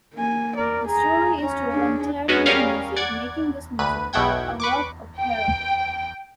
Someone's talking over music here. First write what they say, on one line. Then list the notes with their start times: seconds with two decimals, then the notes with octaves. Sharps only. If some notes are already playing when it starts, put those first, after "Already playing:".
The story is told entirely in music, making this musical a rock opera.
0.15 A#3 G#5
0.57 A#4 D5
0.88 G#4 A#5
1.42 C#4 A#5
1.71 D4 G#4
2.28 F#3 G#3 B3 C#4 F#4
2.46 G3 C#4 G#4 A#4 C#5 F5
2.97 D5 F#5 G#6
3.79 D2 B4 D#7
4.13 B1 B2 E4 F#5 G5 G#6
4.60 B4 C#6 D6
5.19 G5